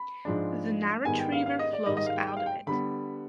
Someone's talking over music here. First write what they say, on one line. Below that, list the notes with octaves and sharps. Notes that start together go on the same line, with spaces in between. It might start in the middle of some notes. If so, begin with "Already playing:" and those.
The Narach River flows out of it.
Already playing: B5
G#2 F3 G#3 D4
G#2 D#3 G3 B3 G#5
G5
F5
F5
D#5
D5
G#2 D#3 G3 D#5
D#5
F5
G5
G5
F5
G5
D3 G3 B3 B5